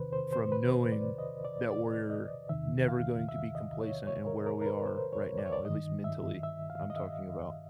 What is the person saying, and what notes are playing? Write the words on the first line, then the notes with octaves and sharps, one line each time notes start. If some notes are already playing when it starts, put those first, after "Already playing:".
from knowing that we're never going to be complacent in where we are right now, at least mentally, I'm talking about.
Already playing: E2 C3 D#3 B4 C5
C5
C5
B4
D5
D#5
D5
D5
D#5
E2 C3 D#3 E5
F5
E5
D#5
C#5
C#5
A#4
A#4
A#4
B4
C5
C#5
D5
C#5
D5
G2 D#3 D#5
E5
E5
F5
D#5
E5